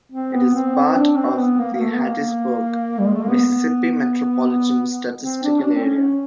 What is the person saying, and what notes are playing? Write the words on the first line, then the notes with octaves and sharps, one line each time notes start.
It is part of the Hattiesburg, Mississippi Metropolitan Statistical Area.
C4
B3
C4
C4
D4
C4
B3
A#3
A#3
A3
B3
A#3
G3
G#3
A3
A#3
B3
C4
D4
C#4
D4
C4
C#4